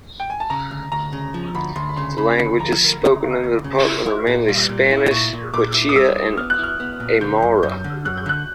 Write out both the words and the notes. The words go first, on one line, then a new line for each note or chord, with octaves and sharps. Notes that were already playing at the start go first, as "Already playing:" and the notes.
The languages spoken in the department are mainly Spanish, Quechua and Aymara.
G5
G#5
A5
C#3 A#5
D2
D2 A#5
C#3
F3
D2 B5
D2 C6
B5
C#3 C6
C#3 B5
D2
F3 A#5
D2
C#3
D2
D2
C#3
E4
E4
A#2
G3
A#2
E4
A#2 C#6
A#2
A#2 D6
E4
D#6
G3 E6
E4
B3 F6
F#6
E4
F6
B3
A#2
D3 G6
F#2
F#2 G6
D3
F#2 F#6
G6
D3 F#6